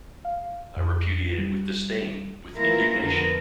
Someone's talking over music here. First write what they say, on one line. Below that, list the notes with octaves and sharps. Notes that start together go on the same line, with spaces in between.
I repudiate it with disdain — with indignation.
F5
F2
G3
E3 A#3 E4 F4 A#4
F2 D3 B3 A#4